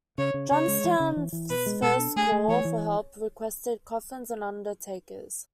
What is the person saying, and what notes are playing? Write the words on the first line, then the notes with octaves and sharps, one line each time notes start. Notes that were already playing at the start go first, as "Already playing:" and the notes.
Johnstown's first call for help requested coffins and undertakers.
C#3 C#5
C#3
C#3 C#5
G#3
E3
C#3
E3
E3
B2 B4
G#3
B2 A4
D4
A3 G#4
A3
E3 C#5
E3